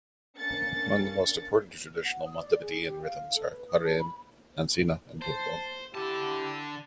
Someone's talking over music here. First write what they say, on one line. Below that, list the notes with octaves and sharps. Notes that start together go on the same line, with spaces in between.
Among the most important and traditional Montevidean rhythms are: Cuareim, Ansina and Cordon.
A#3 C#4 D4 A6 C#7
F#5
D#6
D5
G#4
G4
F5
A4
B4
D#6
A5
B5
C5 A5
D3 E4 G4 A5